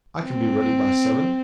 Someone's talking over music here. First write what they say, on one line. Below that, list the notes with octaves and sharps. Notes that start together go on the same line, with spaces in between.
I can be ready by seven.
C4